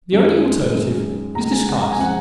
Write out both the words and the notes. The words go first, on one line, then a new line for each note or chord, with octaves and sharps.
The only alternative is disguise.
F#2 D#3 G#3
F#2 D#3 G#3
C#2 C#3 G#3 A#5
G#5
F#5
A#5
G#5
C#3 F3 G#3 F#5